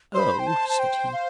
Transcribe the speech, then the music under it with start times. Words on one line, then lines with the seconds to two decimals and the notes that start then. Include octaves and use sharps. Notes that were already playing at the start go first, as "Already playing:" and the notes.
"Oh!" said he.
0.14 C5 C6
0.19 B5
0.39 G5
0.47 A5
0.69 A5
0.79 G5
1.13 F5